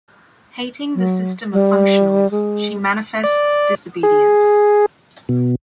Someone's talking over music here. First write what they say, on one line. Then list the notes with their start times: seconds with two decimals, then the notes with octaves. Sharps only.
Hating the system of functionals, she manifests disobedience.
0.95 F#3
1.53 G3
2.31 G#3
3.24 D5
4.03 G#4
5.29 B2